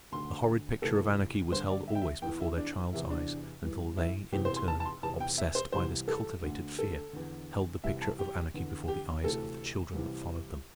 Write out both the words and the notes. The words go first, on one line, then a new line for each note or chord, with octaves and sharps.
The horrid picture of anarchy was held always before their child's eyes until they, in turn, obsessed by this cultivated fear, held the picture of anarchy before the eyes of the children that followed them.
D2 D3 C6
D2 C3 E3 A4
G2 D3 C5
D5
E5
G5
E5
E2 E3 G5
E4
D4
E2 C3 E3 E4
D4
G2 E3
E4
E2 C3 E3 G4
C5
C6
A5
A5
C6
E2 C3 E3 A5
G5
E5
C5
C2 C3 E3 C5
A4
D2 D3
A4
E2 D3
C2 C3 E3 E5
A5
G4
E2 D3
G4
D2 C3 E3 A4
C2 C3 E3